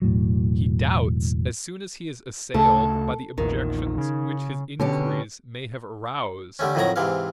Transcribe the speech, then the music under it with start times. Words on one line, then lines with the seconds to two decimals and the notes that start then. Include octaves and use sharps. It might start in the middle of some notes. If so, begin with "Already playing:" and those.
He doubts as soon as he is assailed by the objections which his inquiries may have aroused.
0.02 E1 A2 F#3
2.54 D2 C#3 A3 A4
3.38 A#1 E2 A#2 D#3
3.98 C#3
4.80 B2 D3 C#4 G4
6.59 D3 G3 A3 C#4
6.75 F2 A2 D#3 F#3 C#5 A#5
6.96 G#2 C3 E3 F5